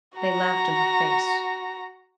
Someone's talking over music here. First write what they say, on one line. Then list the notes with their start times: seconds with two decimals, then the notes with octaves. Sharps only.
They laughed in her face.
0.16 F#4 A#5